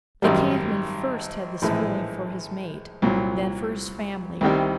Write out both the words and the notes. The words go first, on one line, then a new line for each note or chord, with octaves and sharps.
The caveman first had this feeling for his mate, then for his family.
G#1 F#2 D#3 G3
A#1 A2 E3 G#3
C2 A#2 F#3
C2 C3 D#3 G3